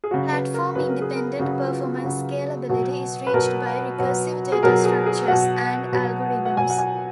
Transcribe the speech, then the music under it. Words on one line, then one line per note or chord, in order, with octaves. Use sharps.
Platform-independent performance scalability is reached by recursive data structures and algorithms.
G#4
C#3 F#3 F#4
B4
A#4
C#3 F#3 B4
A#4
G#4
A#4
C#3 F#3 F#4
F4
F4
C#3 F#3 F#4
B2 F#3
B4
B2 F#3 A#4
B2 F#3
G#4
B2 F#3 A#4
G#4
G#4
B2 F#3 F#5
B2 F#3
F#5
B2 F#3 G#5
F#5
G#5